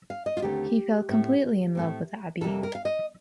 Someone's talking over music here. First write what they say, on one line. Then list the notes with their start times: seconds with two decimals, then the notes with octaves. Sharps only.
He felt completely in love with Abby.
0.10 F5
0.26 D#5
0.37 F4
0.42 D#2 D3 A3 C4 G4
1.09 A2 A3 C4
1.75 A2 A3 C4
2.41 F2 C3 G3 A#3 A4
2.63 A#4
2.75 F5
2.85 D#5